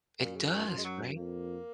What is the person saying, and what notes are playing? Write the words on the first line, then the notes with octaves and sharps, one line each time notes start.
It does, right?
F#2 A#2
C#3
D#3
F#2 F3
G#3
F#3
F2 A#3